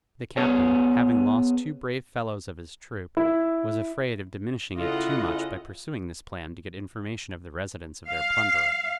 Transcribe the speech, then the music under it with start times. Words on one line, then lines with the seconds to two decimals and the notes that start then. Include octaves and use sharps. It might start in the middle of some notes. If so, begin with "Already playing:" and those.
The captain, having lost two brave fellows of his troop, was afraid of diminishing it too much by pursuing this plan to get information of the residence of their plunderer.
0.37 B3 G#4 C#5
3.17 E4
4.78 C#3 E4 F4 A4 D#5 F#5
8.08 F5